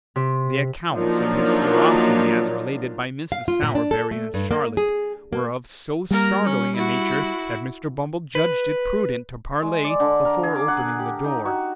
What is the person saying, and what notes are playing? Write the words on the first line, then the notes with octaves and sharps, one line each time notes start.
The accounts of his ferocity as related by Mrs. Sowerberry and Charlotte, were of so startling a nature, that Mr. Bumble judged it prudent to parley, before opening the door.
C3
F3 F#3 A#3 D4 D#4 F4
F5
F4
A#2
D4
A4
A3
G2
A#3
G#4
A#3
G3 A#3 A#4
C#4
E4 F#4
B4
G#3
D5
D3
A#4
G#4
D6
F#5
G4
D#4
F#4